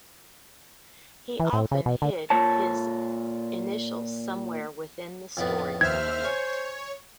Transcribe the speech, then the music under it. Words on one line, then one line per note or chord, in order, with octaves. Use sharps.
He often hid his initials somewhere within the stories he inked.
E3
A2
C#3
B2
D3
A#2 C#5 A5
F2 A2 B3
D#2 C5 E5 F6 G#6
C#5 G#5